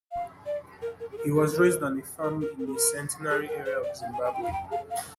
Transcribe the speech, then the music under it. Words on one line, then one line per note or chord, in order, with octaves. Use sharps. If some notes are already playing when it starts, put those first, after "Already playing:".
He was raised on a farm in the Centenary area of Zimbabwe.
F5
D5
A#4
A#4
G#4
A#4
G#4
A#4
A#4
A#4
A#4
G#4
A#4
G#4
A#4
C5
D5
F5
G#5
G#5
G5
F5
G5
F5
F5